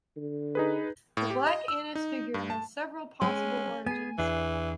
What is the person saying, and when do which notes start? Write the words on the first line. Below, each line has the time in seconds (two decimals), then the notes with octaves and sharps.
The Black Annis figure has several possible origins.
0.16 D3
0.55 D#4 G#4 B4
1.17 A2
1.30 G4
1.47 D#5
1.68 E6
1.95 D#4
2.34 G2
2.50 A5
3.21 G#3 C#4
3.86 B3 G#4 G#5
4.18 E2 E3 D4 G#4